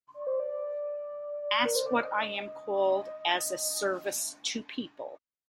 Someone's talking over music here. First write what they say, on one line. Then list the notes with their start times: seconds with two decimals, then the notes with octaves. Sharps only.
Ask what I am called as a service to people.
0.14 D5
0.27 C5
0.40 D5
1.65 A#4
1.76 C5
1.86 D5
1.96 D#5